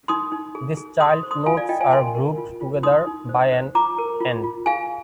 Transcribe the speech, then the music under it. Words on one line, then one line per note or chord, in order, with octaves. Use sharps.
These child nodes are grouped together by an "and".
D#4 C6 D#6
D#4
G#4
G#4
G#4 C6 D#6
C5
C6 D#6
F4 F5 G#5
D5 F5
F4 D#5 G5
F5 G#5
A#4 G#5 C6
A#4
F4
F4
D#4 C6 D#6
D#4
C5
C5
F4 A#5 D6
A#4
F4
F4
G#4 F5 G#5